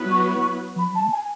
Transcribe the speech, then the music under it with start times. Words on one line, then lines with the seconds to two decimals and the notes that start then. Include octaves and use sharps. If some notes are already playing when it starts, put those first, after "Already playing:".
Right. Mhm.
Already playing: F#3 B3 E4 B4
0.10 C#6
0.27 C#6
0.78 B5
0.95 A5
1.11 G#5